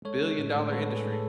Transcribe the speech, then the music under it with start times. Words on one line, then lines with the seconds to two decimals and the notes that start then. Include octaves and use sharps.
Billion dollar industry.
0.05 G#3 A4 C#5
0.22 G#3
0.38 A2
0.56 A2
0.69 B4
0.72 G#3 A4 C#5
0.90 G#3
0.95 G#4 B4
1.06 A2
1.13 A4